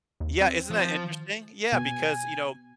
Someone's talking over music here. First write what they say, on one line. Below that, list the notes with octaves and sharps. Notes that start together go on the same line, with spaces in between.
Yeah, isn't that interesting? Yeah, because, you know,
D#2
C4
F3
B2 G#5